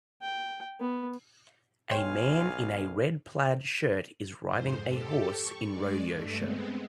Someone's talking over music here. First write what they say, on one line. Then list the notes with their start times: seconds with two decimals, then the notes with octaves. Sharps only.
A man in a red plaid shirt is riding a horse in rodeo show.
0.22 G5
0.80 B3
1.91 B1 C#5 F5 G5 G#5 C6
4.47 F2 G#2 C5
4.84 G4 A4
5.29 C#6
5.64 G#3 D5
6.04 G2 A3
6.34 G#3 B3 C4